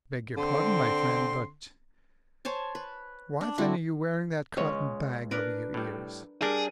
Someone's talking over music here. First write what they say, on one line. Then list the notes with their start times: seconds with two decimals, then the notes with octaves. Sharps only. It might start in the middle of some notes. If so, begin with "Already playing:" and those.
"I beg your pardon, my friend, but why then are you wearing that cotton bag over your ears?"
0.37 D3 C4 C6
2.45 C5 C#5 G#5 A5
2.75 B4
3.41 D4
3.58 D3 C4 E4 F#4
4.57 C#2 G#3 C#4 C#5
5.31 D4 A#4 B4
5.74 A2 G3
6.42 G3 D4 G#4 A#4